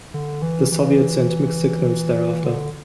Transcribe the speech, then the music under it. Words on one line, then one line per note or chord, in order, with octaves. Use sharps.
The Soviets sent mixed signals thereafter.
D3
E3
E3
D3